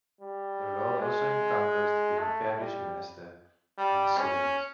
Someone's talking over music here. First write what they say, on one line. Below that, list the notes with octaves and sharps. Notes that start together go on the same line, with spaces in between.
The role also encompassed being parish minister of Ceres.
G3
G#3
A3
G3
G3
C#4